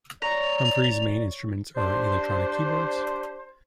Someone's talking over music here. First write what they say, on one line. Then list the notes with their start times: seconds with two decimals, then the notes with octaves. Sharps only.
Humphreys' main instruments are electronic keyboards.
0.22 C#5 D5 A#5 F7
1.76 D4 G4 C5